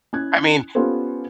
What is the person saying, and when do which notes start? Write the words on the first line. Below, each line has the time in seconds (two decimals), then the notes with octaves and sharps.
I mean,
0.13 C#4 E4 F#6 G#6
0.75 B3 C#4 F4 G4 A4 C5